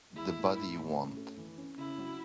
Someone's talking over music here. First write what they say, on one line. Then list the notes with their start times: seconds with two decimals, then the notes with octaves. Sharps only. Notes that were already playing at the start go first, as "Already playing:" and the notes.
The Body You Want.
0.16 G#3 E4
0.36 A2
0.57 A2
0.77 A2
0.97 C#4
1.17 A3
1.37 E3
1.58 C#4
1.77 C#3 E4
1.98 F#3